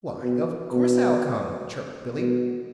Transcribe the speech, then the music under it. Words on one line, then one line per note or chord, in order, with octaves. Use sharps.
"Why, of course I'll come," chirped Billy.
B2
B2
B2